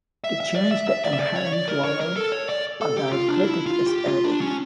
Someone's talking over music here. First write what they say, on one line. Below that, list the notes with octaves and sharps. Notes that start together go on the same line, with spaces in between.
To change the inherent vowel, a diacritic is added.
E5
E5
D5
E5
E5
D5
E5
D5
C#5
D5
A#4
C#5
A#4
A4
C#5
D5
A4
G4
F4
D4
E4
F4
G4
F4
D4
C#4